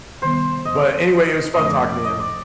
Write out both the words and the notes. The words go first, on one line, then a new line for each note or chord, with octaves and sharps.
But anyway, it was fun talking to you.
C3 D#3 G3 B3 C5
D#5
F2 C3 F3 A3 C#4 D#5
D5
D5
D#5
D5